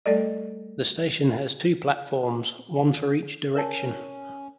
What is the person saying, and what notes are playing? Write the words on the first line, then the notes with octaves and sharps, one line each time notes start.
The station has two platforms, one for each direction.
G3 A3 A4 D5 D#5
C#4 A#4 C#5 A5